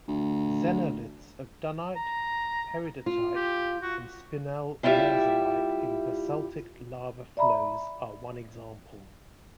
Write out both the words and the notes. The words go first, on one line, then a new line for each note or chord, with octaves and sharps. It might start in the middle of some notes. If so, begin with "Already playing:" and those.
Xenoliths of dunite, peridotite and spinel lherzolite in basaltic lava flows are one example.
D2
A#5
F4
G4
F#4
G3 E4 F4 G4 E5
D5 E5 A#5 B5